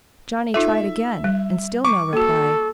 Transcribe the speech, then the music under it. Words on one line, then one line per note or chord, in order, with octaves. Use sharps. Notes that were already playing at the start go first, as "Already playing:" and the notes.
Johnny tried again, and still no reply.
D#4 F4 A4 E5
G3
C#6 D6
A#3 F#4 A4